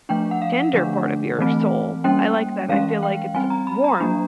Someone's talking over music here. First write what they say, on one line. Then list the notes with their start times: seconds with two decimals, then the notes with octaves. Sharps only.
tender part of your soul. I like that, I feel like it's warm.
0.09 F3 A3 D4 G5
0.31 F#5
0.42 F5
0.53 F#5
0.73 D3 F3 A3 D4
1.39 E3 A3 C4
2.04 G3 A#3 C#4 G5
2.69 E3 G#3 C#4 F5
3.03 G5
3.34 G3 C4 G#5
3.50 A#5
3.67 B5
3.84 A#5
4.00 F#3 A#3 D4